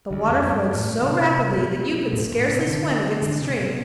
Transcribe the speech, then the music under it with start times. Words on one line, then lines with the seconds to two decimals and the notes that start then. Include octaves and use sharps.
The water flowed so rapidly that you could scarcely swim against the stream.
0.10 D2 D3
0.29 F2 F3
0.47 G2 G3
0.75 A2 A3
1.03 C3 C4
1.57 B2 B3
2.12 A2 A3
2.31 A2 A3
2.49 C3 C4
2.67 D3 D4
3.22 D3 D4
3.41 C3 C4
3.59 B2 B3